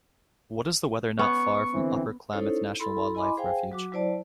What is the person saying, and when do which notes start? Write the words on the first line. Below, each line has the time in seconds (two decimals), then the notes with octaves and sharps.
What is the weather not far from Upper Klamath National Wildlife Refuge?
1.19 B3 C#4 C#6
1.74 D3 E3 C4
2.33 C#4 D#4 E4 A4 C5 C#5
2.80 E4 A4 B5 C6
3.15 E4 D#5 G#5 B5 C6 D6
3.37 G#4 C5 F5 G5 G#5
3.72 F#3 F#4 D6
3.92 F#3 E4 C5 D5 A5